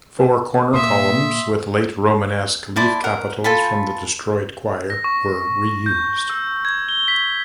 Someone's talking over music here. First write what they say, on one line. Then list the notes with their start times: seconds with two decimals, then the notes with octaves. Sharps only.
Four corner columns with late Romanesque leaf capitals from the destroyed choir were reused.
0.19 B4 G#5
0.74 A#2 E5 C6 D#6
2.76 E4 C5 D5 A5
3.04 A#4 F#5
3.44 F4 A4 G#5 B5
4.90 A#6
5.04 C#6
5.86 G6
6.30 E6
6.65 G#6
6.89 G7
7.08 B6